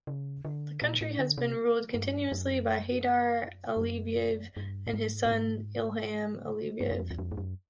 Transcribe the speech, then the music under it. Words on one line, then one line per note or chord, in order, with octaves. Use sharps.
The country has been ruled continuously by Heydar Aliyev and his son Ilham Aliyev.
C#3
D3
A#2
A2
D3
C3
G2
F#2
G2
F#2
G2
A2
G#2
A2
G#2
G2
F#2
F2
E2
F2
G2
F#2